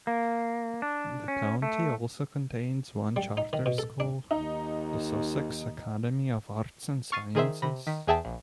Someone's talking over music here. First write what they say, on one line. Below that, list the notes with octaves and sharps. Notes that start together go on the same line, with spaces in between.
The county also contains one charter school, the Sussex Academy of Arts and Sciences.
A#3
D4
C#4
A3
G3
D#4
D#3
B2
A4
D4
D#2 D#4
C#6 F6 A6 C7 D#7
D#3 G#4 C5 E5
C3 B5 A#6
D#3 B6
E2 G#4 E5 G5 A5 B6
A#1